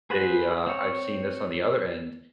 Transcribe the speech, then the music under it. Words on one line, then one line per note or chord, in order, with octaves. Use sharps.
they, uh, I've seen this on the other end,
G#4 B4 C5 F#5
C4 C#5